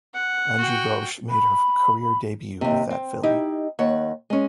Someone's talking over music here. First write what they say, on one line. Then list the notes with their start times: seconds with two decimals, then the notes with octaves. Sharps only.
Anju Ghosh made her career debut with that film.
0.14 F#5
0.58 F#4 G5
1.29 B5
2.61 D#2 C3
2.90 C4
3.23 D#4 E4 G4
3.79 D#2 C#5 F#5
4.30 G#3 C#4